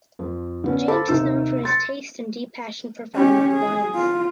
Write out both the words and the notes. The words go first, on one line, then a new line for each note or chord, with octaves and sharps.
James is known for his taste and deep passion for fine red wines.
F2 F3
D3 B3 C#4
A4 C5 F5 A5 B5 D6
D#2 C3 D#4 E6
C6 A6 C#7
C#4 G4
G#4
F4